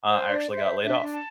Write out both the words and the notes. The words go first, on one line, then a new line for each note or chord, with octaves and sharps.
uh, I actually got laid off,
C5
D4 D5
C5
E5
C5
D4 E5
D4
A5